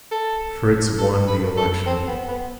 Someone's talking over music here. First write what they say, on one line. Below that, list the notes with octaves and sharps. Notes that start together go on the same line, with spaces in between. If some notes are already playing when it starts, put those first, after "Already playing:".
Fritz won the election.
A4
A4
B4
A4
C4
B3
B3